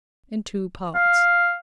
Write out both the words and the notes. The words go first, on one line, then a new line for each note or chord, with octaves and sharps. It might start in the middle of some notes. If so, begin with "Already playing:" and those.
In Two Parts.
F5